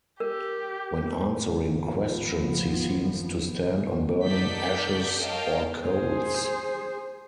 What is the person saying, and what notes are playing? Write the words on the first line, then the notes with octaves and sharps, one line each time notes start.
When answering questions he seems to stand on burning ashes or coals.
G4 A#4
G#1 F3 B3
D#4 A4 D5 F#5 G6 B6
A#4 C#5 D#5 F5 G5 A5
G#4 C5